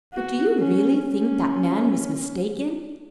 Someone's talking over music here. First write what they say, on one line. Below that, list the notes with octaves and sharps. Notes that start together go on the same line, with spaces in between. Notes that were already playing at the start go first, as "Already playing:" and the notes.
But do you really think that man was mistaken?
F#4
C#4
C#4